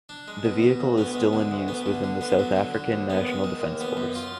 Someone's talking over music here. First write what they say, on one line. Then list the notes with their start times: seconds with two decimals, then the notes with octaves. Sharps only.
The vehicle is still in use within the South African National Defence Force.
0.09 D4
0.28 G#3
0.45 B2
0.63 B2
0.81 D2
0.98 B3
1.15 G#3
1.33 D3
1.51 D2
1.68 B3
1.86 D3
2.04 D3
2.21 B3
2.39 F#3
2.56 D3
2.74 D3
2.92 D#2
3.10 B3
3.27 G#3
3.44 D#3
3.62 D#2
3.80 B3
3.97 F#2
4.15 F4